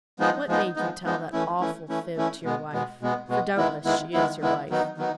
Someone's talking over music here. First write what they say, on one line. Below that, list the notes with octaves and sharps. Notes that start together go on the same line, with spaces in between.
What made you tell that awful fib to your wife?--for doubtless she is your wife.'
F3 G#3 B3 D#4
F3 G#3 B3 D#4
F3 G#3 B3 D#4
F3 G#3 B3 D#4
E3 A3 C#4 E4
E3 A3 C#4 E4
E3 A3 C#4 E4
E3 A3 C#4 E4
B2 G#3 B3
B2 G#3 B3
B2 G#3 B3
B2 G#3 B3
D#3 G#3 B3 E4
D#3 G#3 B3 E4
D#3 G#3 B3 E4
D#3 G#3 B3 E4
D#3 F#3 B3 D#4
D#3 F#3 B3 D#4